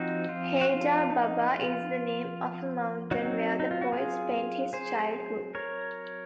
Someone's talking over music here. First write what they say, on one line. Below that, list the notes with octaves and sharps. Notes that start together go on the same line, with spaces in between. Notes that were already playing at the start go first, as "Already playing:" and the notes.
Heydar Baba is the name of a mountain where the poet spent his childhood.
Already playing: F3 C4 D#4 F#4
F4
F#4
F4
D#4
F4
F#3 C4 D#4 F#4
D#4
F4
F#4
F4 G#4
G#4 C5
A#4 C#5